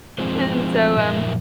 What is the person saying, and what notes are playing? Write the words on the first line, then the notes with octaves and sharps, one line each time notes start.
And so, um
F3 G#3 C4 F4 G#4 C5
F#2 A#2 F3 A#4 E5